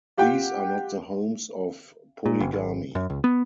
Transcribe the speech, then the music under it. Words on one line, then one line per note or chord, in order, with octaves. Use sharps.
These are not the homes of polygamy.
F4 G4 F#5 G5
A#2
F#1
G#1
F#2
C#2
B3